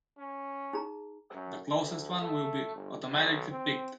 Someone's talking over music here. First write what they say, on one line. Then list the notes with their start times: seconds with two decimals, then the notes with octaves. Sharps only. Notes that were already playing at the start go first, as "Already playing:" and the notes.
The closest one will be automatically picked.
0.18 C#4
0.73 D#4 G#4 A#5
1.33 F#2
1.74 D2
2.21 A3
2.75 G1
3.12 B1
3.51 C4